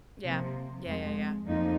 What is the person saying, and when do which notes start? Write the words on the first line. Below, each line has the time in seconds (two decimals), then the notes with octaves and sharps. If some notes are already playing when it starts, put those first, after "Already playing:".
Yeah, yeah, yeah, yeah.
0.25 C3 F3 A#3
0.86 F2 F3 G#3
1.46 F2 F3 A#3 D#4